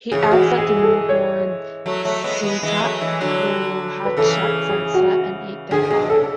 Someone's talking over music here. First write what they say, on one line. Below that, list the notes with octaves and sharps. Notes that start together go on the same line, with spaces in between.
He adds that the newborn Sleestak will hatch at sunset and eat their father.
C#3 E3 G#4
G#4
E3 G#3 F#4
G#4
G#4
A4
C#5
F#3 A3
F#3 A3
G#3 B3
G#3 B3
E3 G#3
B3
F#3 A3
E3 G#3
D3 F#3
B4
C#3 E3 A4
G#4
G#4
F#4
D3 G#4
B2 G#4
C#3 A4